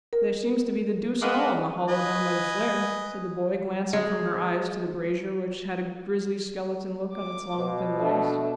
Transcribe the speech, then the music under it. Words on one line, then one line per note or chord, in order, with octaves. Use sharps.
'There seems to be the deuce-and-all in the hollow down by the flare,' said the boy, glancing from her eyes to the brazier, which had a grisly skeleton look on its long thin legs.
A#4
G#3 A#3 B3
B4 D#5 G#5
G#3
D6
B2
A3 D4